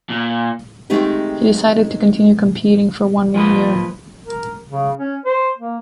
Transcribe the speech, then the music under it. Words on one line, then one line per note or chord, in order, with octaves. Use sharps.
He decided to continue competing for one more year.
A#2
D#3 G#3 A3 C4 D#4 G4
F3 A#3 B4 D#5
A#4
C#3
C#4
C5
A#3